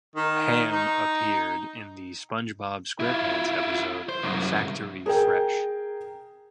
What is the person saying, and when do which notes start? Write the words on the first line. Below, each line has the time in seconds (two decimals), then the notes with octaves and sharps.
Hamm appeared in the "SpongeBob SquarePants" episode "Factory Fresh".
0.16 D#3
0.73 D#4
3.00 E4 F4
4.09 C5
4.22 C2 F#2
5.06 G#4 A#4 G5